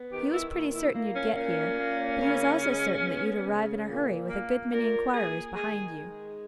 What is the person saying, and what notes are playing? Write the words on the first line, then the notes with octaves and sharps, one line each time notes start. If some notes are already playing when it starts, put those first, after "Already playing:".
He was pretty certain you'd get here, but he was also certain that you'd arrive in a hurry with a good many inquirers behind you.
Already playing: B3
D#3 G4
E4
A#2 E4
E4
A#3
C#4
A#2 C#4
A#3
C#3
G#3
B3
C#3
A#2
A#3
A#2 A#4
A#3 G#4
D#3 G#4
G#3